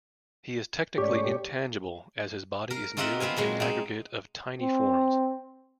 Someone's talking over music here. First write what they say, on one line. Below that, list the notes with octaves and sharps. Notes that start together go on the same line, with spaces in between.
He is technically intangible, as his body is merely an aggregate of tiny forms.
G#2 A3 C#4 G4 C#5 D5 D6
A#4
C4 D#4 F4 A#4 E5 F#5
B3 C4 F5 G#5
A#2 F#3 G#3
C4 D#4
C4